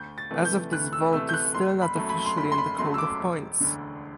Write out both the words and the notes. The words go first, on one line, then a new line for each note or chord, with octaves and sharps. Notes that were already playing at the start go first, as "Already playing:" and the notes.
As of this vault is still not officially in the code of points.
Already playing: D2 G6
A6
C3 E3 A3
G6
D2 F#6
E6
C3 E3 A3 E6
G6
F#6
F#1 C6
B5
F#2 F#3 A3
B5
C6
F#1 B5
C6
B5
F#2 F#3 A3 C6
E6
D6
E1
D2 D3